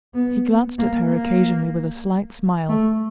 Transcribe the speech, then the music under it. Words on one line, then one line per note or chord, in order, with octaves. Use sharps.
He glanced at her occasionally with a slight smile.
B3
A#3
A#3
A3